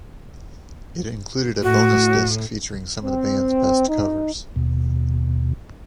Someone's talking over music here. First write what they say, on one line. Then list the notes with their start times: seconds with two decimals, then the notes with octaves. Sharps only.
It included a bonus disc featuring some of the band's best covers.
1.63 A2 F#4
3.04 C4
3.88 D#4
4.56 D#2 B2